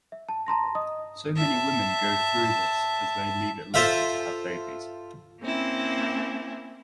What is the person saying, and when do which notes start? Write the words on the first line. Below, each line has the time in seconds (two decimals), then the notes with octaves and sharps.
So many women go through this as they leave it later to have babies.
0.12 E5
0.29 A5
0.47 A5 A#5 C6 A#6
0.75 D#5 D#6
1.37 E5 A5
3.74 F4 A4 C5 E5 F5
5.42 A#3 C4 C#4 E4